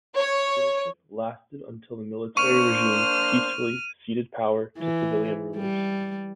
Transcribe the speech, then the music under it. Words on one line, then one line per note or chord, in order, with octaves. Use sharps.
The dictatorship lasted until the military regime peacefully ceded power to civilian rulers.
C#5
A#3 D4 C5 C#6 F6 D#7
E3
G3